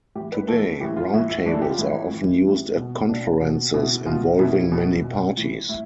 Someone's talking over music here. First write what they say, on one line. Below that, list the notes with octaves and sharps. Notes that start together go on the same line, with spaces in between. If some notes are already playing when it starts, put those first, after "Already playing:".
Today, round tables are often used at conferences involving many parties.
A2 E3 G4
B4
A2 E3 A4
A2 E3 G4
F4
A2 E3 E4
E4
A2 E3 D4
A4
G4
F4
A2 E3 E4
A2 E3
A2 E3
B2
B2 D4
B2
B2 E4
B2 F4
B2 E4
B2
B2
A2 E3
A2 E4